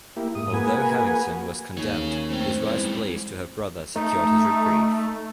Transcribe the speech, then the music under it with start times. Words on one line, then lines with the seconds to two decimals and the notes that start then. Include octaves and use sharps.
Although Habington was condemned, his wife's pleas to her brother secured his reprieve.
0.17 A#3 E4 G4
0.35 G#2 D#6
0.54 A#3 F#4 G#4 B4 G#5
1.77 D#2 G#4 C#5
2.30 A3 C4 G5
2.63 E2 G2 G#3
3.96 A3 D#4